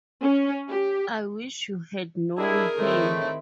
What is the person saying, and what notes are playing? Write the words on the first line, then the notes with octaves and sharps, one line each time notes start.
I wish you had known him.
C#4
G4
G#3 D4 E4 G#4 A#4
A2 D#3 A3 C4 E4